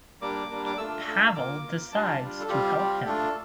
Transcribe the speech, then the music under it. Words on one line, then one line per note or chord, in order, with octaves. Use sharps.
Pavel decides to help him.
G3 A#3 D4 D6
G3 A#3 D4
D6
A3 D4 F4 E6
A3 D4 F4
A#3 F4 D6
A#3 F4
G3 D4 F4 A5
G3 D4 F4
A4
G3 C4 F4 G4
G3 C4 F4
A3 D4 F4 A4